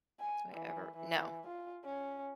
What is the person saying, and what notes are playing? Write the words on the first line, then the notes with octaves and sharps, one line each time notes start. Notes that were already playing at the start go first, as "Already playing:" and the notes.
Do I ever no.
G#5
E3
E3
F4
C#4